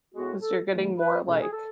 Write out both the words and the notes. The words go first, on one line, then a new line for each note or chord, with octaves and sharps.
'Cause you're getting more like,
A2 G#3 B3 F#4
A4
G#2 E3 A3
B4
C#2 B2 G#3 C#4 A4
G#4
A4